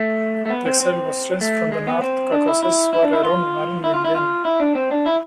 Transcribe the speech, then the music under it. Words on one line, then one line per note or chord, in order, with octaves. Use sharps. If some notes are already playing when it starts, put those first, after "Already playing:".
The exiled Muslims from the North Caucasus were around one million.
Already playing: A3
A3
B3
C4
C4
A3
G#3
B3
C4
D4
E4
E4
E4
D4
E4
F4
E4
F4
E4
F4
E4
D4
C4
D4
E4